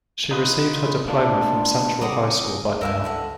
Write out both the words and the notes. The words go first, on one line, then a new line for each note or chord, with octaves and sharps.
She received her diploma from Central High School by mail.
D#4 F4 B4
A#3 B3 D4 F4
G#2 C#3 G3 C4 G#4 F#5 A#5 D6
C#2 B2 A#4 D#5 E5 A5
D2 D3 F#5